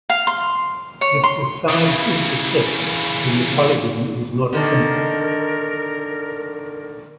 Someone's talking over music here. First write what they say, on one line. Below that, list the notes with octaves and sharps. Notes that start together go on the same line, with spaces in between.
If the sides intersect then the polygon is not simple.
F5
C6
C#5
C6
C#3 E3
D3 D#3 A#4